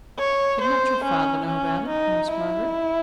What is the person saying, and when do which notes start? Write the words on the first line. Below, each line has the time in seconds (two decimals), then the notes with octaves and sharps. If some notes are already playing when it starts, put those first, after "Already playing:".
'Did not your father know about it?' asked Margaret.
0.19 C#5
0.62 C5
1.05 C#4
1.46 C#4
1.89 D#4
2.31 E4